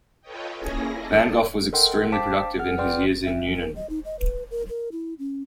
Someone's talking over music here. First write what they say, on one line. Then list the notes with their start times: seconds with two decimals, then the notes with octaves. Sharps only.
Van Gogh was extremely productive in his years in Nuenen.
0.21 F4 A4 B4 C#5 D#5 G5
0.56 A#3 C#4 E4 G#4 G#5 A#6
0.95 A4 D5 D#5 A5
1.73 A4 A#4 D#5 F#5 G5 C6
2.12 C5 F5 G5 A5 D6 B6
2.59 G#4 F#5 F6
2.78 B4 D5 G5 C6 F6
3.24 E5
3.60 A#4
3.76 D#5
3.89 D#4
4.05 D#5
4.19 B4
4.51 A#4
4.69 A#4
4.92 E4
5.19 C#4